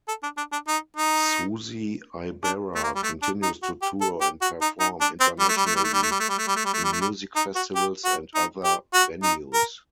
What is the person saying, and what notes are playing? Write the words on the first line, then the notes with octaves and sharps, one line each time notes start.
Susie Ibarra continues to tour and perform internationally in music festivals and other venues.
A4
D4
D4
D4
D#4
D#4
D4
A3
A#3
G3
A3
D4
D#4
F#4
G4
A4
G4
F#4
D#4
D#4
D4
C4
G3
A3
G3
A3
G3
A3
G3
A3
G3
A3
G3
A3
G3
A3
G3
A3
G3
A3
G3
D#4
F#4
G4
F#4
D#4
G4
F#4
D#4
A#4